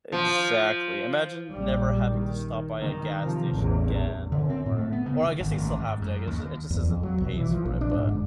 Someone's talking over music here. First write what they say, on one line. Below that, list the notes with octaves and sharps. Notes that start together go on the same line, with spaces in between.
Exactly. Imagine never having to stop by a gas station again, or or I guess you still have to, I guess it just says it pays for it, but
F3
A#1 G3
D#3
D#3
C3 F3
A1 E2
D3
C4
A2
A3
B3
C#3
D#3
G#1
A1
G#2
F#2
D#2
E2
F2
F#3
B1
E3
F3
A#1
D4
G#2
G1